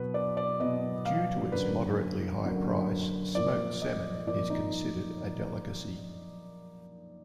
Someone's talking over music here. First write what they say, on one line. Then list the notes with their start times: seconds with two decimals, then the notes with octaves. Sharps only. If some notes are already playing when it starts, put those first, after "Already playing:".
Due to its moderately high price, smoked salmon is considered a delicacy.
Already playing: B2 F#3 B3 B4
0.14 D5
0.37 D5
0.60 B2 F#3 B3 D#5
1.05 F5
1.51 F#2 D3 F#3 A#3 B4
2.43 F#2 D3 F#3 A#3
3.35 A#2 F3 A#3 D5
3.82 D#5
4.27 A#2 F3 A#3 D5
4.50 D#4